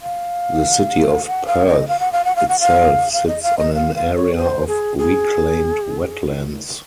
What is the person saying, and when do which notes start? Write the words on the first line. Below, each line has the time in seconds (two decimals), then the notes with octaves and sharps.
The City of Perth itself sits on an area of reclaimed wetlands.
0.02 F5
1.26 F#5
1.46 F5
1.67 D#5
1.88 F5
2.00 F#5
2.12 F5
2.25 F#5
2.36 F5
2.49 F#5
2.60 F5
3.13 F5
3.27 D#5
3.43 F5
3.58 D#5
3.74 F5
3.95 F5
4.15 C#5
4.36 C5
4.67 G#4
4.98 G#4